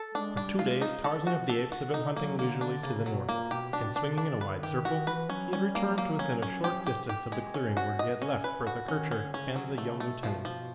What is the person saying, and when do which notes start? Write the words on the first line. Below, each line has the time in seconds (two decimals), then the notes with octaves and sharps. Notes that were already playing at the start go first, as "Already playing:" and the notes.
For two days Tarzan of the Apes had been hunting leisurely to the north, and swinging in a wide circle, he had returned to within a short distance of the clearing where he had left Bertha Kircher and the young lieutenant.
Already playing: A4
0.15 G#3 D4
0.37 G3 D4
0.59 G#3 F4
0.81 D#4
1.04 A4
1.27 F#4
1.49 A4
1.72 F#4
1.94 D#4
2.16 F#3 A#3
2.39 D3 A#3
2.61 D3 D4
2.83 C#3 A#3
3.06 B2 F#3
3.28 A#2 A#3
3.51 B2 G4
3.73 B2 D4
3.95 C3 D4
4.18 C#3 D4
4.40 D3 B4
4.63 D#3 G4
4.85 D#3 F#4
5.07 E3 B4
5.29 F#3 C#4
5.52 G3 C#4
5.75 A#3
5.86 F#3
5.98 A#3
6.19 F#3 C#4
6.42 C#4
6.64 G4
6.87 G4
7.09 G4
7.32 G#3
7.54 C#4
7.77 F#4
7.99 D#5
8.22 C#4
8.44 B4
8.67 F#4
8.88 D#3 C#4
9.11 D3 C#4
9.33 C#3 C#4
9.56 D3 F#3
9.78 C#3 A3
10.00 B2 A3
10.23 F3
10.45 F3